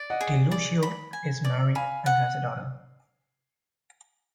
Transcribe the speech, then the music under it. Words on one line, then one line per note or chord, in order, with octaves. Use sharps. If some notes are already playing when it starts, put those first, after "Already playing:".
DiLucchio is married and has a daughter.
Already playing: D5
D#5 F#5
G#4
D5
B5
G#5
D5
F5 G#5 B5
F#5